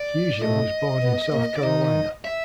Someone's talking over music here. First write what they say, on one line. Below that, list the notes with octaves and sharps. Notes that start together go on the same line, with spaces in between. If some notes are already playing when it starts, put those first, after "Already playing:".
Huger was born in South Carolina.
Already playing: D5
A2 A3 D#5
B2 B3
A#2 A#3
D5
D#3 D#4 D#5
D#5
E5